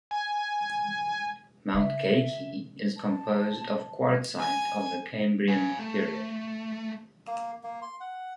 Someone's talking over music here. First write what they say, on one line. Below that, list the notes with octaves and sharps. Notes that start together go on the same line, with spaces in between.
Mount Geikie is composed of quartzite of the Cambrian period.
G#5
C#3 E5
A5
G#5
F5 G#5
A3
A#3
A#3
C6
F#5